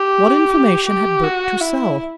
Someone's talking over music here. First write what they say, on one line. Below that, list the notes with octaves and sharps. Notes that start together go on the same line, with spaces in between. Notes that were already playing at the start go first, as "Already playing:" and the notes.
What information had Burke to sell?
Already playing: G4
G4
F#4
E4